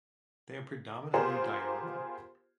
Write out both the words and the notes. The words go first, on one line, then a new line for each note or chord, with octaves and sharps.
They are predominantly diurnal.
B3 F4 G4 G#4 A#4 C5